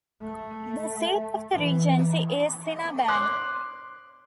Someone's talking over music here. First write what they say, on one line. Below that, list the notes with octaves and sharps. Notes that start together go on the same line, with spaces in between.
The seat of the regency is Sinabang.
A3
E3
C6 D6 F#6